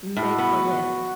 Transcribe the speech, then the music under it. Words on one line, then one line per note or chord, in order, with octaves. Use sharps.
make the list
A2 F#4
B3